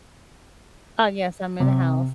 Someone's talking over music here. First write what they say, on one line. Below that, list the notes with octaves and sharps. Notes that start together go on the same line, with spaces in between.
Uh, yes, I'm in a house.
C3